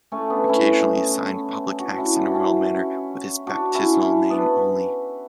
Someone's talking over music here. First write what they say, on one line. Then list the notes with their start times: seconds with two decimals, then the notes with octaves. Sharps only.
Occasionally he signed public acts in the royal manner, with his baptismal name only.
0.12 A3 C#4
0.30 B3 D4
0.49 C#4 E4
1.79 D4 F#4
1.98 C#4 E4
2.16 D4 F#4
2.35 C#4 E4
3.47 D4 F#4
3.74 C#4 E4
3.93 D4
4.02 C#4 E4
4.30 B3 D4